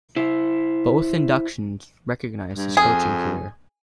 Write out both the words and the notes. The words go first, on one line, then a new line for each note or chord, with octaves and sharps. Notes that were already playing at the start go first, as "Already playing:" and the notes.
Both inductions recognized his coaching career.
E4 C5
G2
F2 G#4